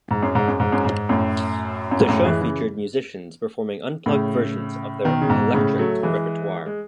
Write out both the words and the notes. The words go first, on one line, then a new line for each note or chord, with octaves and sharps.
The show featured musicians performing unplugged versions of their electric repertoire.
G#2
F#2
G#2
F#2
G#2
F#2
G#2
F#2 A2
F#2
G#2
F#2 A2
E3 G#3
C#3 E3
A2 C#3
B2 D#3
C#3
G#2 B2
A2 C#3
F#3 A3
E3 G#3
G#3